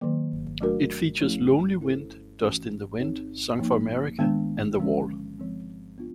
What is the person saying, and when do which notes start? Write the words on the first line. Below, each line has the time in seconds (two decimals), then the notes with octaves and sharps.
It features "Lonely Wind", "Dust in the Wind", "Song for America", and "The Wall".
0.01 D#3 F#3 A#3
0.61 F#3 A3 D4 F#4 A#4
1.20 F3 A3 C#4 E4 G#4
1.80 C#4 E4 A4 C5
2.40 E3 A3 C#4 F#4
2.99 C4 D#4 G#4 C#5
3.59 F3 A#3 D#4
4.19 D#3 G#3 B3 D4
4.79 D3 F3 G#3 C#4
5.38 F3 G#3 C4
5.98 B3 D4 F4